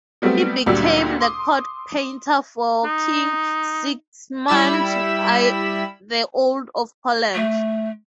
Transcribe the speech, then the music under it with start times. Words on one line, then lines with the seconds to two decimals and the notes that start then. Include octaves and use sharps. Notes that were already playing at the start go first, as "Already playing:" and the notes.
He became the court painter for King Sigismund I the Old of Poland.
0.22 F#3 G3 A3 B3 C4
0.66 D2 A#2 F#3 G3 D4 E6
1.20 C6 D6 D#6
2.84 D#4
4.48 G3 E4 B5 E6
7.34 A3